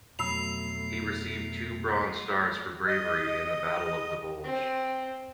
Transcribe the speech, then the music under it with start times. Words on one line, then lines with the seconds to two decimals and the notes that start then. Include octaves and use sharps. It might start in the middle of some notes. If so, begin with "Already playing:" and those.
He received two bronze stars for bravery in the Battle of the Bulge.
0.19 F2 B2 F#3 A3 B5 E6 C7 F7
2.87 D#5
4.45 C4